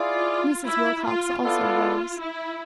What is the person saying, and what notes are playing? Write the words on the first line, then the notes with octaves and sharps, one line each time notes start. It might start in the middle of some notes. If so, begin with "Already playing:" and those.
Mrs. Wilcox also rose.
Already playing: E4 F4 G#4 D5
E4
F4
B3 E4 F4 A4 D5 F5
E4